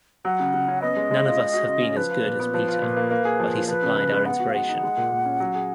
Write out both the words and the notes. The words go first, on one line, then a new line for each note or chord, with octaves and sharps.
None of us have been as good as Peter, but he supplied our inspiration.
F#3 F#5
C#3
C#3
C#4
B3 D#5
G#3
G#3
F4
G#3
F#4
C#3
C#4
F3 B4
F4
A#2
B3
F3
F4
A#2
A#3
A#3
G#4
F3
F4
F3 B4
C#3
C#3
G#3
B3 F#5
F#4
F5
G#3 F#5
D#4
G#3
A#2
A#2
C#4
F#3
G#4